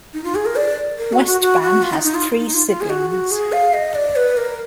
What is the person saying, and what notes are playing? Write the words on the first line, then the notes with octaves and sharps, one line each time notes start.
Westbam has three siblings.
D#4
F4
G#4
A#4
D5
A#4
F#4
F#4
F#4
F#4
F4
D#4
D#4
F4
D#4
F4
F4
G#4
F#4
F#4
G#4
F5
D#5
D5
B4
A#4